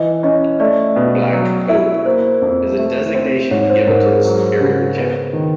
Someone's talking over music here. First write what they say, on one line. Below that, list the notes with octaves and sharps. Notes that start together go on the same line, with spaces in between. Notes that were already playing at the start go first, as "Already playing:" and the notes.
"Black Pope" is a designation given to the Superior General.
Already playing: E3 D#5
C#4 D#5
A3 D5
B2
F#3
E4
A#3 C5
F2
A3
C4
G#2 C#5
C5
G#2 A#4
G#4
F#3
C#3
B3
D#3